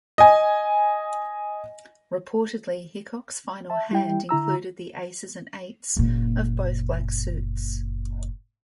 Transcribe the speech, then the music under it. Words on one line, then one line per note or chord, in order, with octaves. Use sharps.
Reportedly, Hickok's final hand included the aces and eights of both black suits.
D#5 G#5
E5 A5
G3 E4 G5
D3 E4 A#5 E6
F#1 A#2